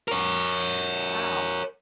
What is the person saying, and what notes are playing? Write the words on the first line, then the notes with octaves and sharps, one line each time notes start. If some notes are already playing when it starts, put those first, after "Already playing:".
Oh, wow.
A#4 C#5